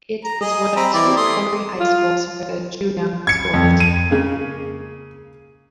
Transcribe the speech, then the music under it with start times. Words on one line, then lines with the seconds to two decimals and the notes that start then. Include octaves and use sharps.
It is one of two primary high schools for the Juneau School District.
0.25 A#5
0.41 G#4 D#5
0.76 C4 A#5 B5
0.93 E3 C4 D5
1.17 A3 C6 D#6
1.80 F4
3.27 G#6 C#7
3.53 F2
3.80 D#7
4.10 C#3 G#3 A#3